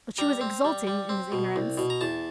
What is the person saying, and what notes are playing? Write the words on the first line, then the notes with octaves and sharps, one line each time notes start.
But she was exulting in his ignorance.
G3 A#5
C4
G3
G3
C4
B2
C2
B2
A#5
E2 A5